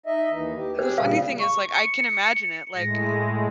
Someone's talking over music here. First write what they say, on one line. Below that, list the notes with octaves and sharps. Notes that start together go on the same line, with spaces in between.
the funny thing is, like, I can imagine it, like,
D#4 D#5 E5
D#2 E3 D#4
G4
C4 G4 G#4 C5
A#2 C#3 G3 F5
C#6
C#7
A2 G#3 A#6